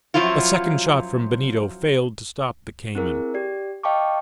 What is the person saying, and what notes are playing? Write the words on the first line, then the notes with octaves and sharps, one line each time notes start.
A second shot from Benito failed to stop the cayman.
F#2 F3 F#3 E4 F4
C4 E4 G#4 A#4
G4 D5
D#5 F5 G5 A5 C#6 D6